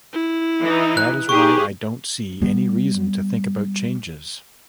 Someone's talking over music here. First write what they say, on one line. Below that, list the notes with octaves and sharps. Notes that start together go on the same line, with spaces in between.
That is why I don't see any reason to think about changes.
E4
E3 D#4
F#6
D#4 G4 G#4 C#6
G3 B3